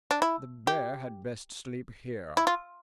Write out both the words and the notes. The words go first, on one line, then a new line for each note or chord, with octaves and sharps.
'The bear had best sleep here.'
D4
E4
G4
E4
F4